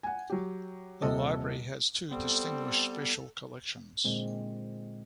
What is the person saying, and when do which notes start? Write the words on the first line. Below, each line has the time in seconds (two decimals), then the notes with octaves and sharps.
The library has two distinguished special collections.
0.03 F#5 G#5
0.30 F#3 G4
1.02 D#1 C3 A4 D#5
2.11 G3 B3 C4 A4
4.04 A#2 D3 G#3 C4